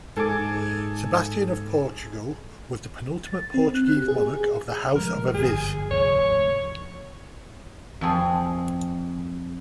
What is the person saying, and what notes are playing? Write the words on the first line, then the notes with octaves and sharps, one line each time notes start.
Sebastian of Portugal was the penultimate Portuguese monarch of the House of Aviz.
G#2 G#4 A4 D6
A6
C4
F#6
G4
G#4
F3 G3 G#3 A#4
G1 F#2 D3 G#4
F1 D2 G#2 C#5
F2 G#4